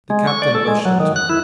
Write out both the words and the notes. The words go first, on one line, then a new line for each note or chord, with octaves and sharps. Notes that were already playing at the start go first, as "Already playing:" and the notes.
The captain rushed up to her.
G#3
C#6
D5
A4
G#3
F#3
D#3
F#6
E4